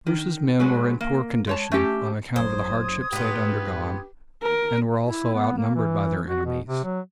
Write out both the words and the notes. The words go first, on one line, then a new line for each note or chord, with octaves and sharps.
Bruce's men were in poor condition on account of the hardships they had undergone and were also outnumbered by their enemies.
D#3
F#3 G#3 B3
A#3
G#3 C#5 A5
A3 C#4 G4 A5
F#1 F#3 C5 D#6 G#6
G#2 B3 F4 G4 B4
A#4
E4
B3
A#3
E3
F#4
B2
C3
F#3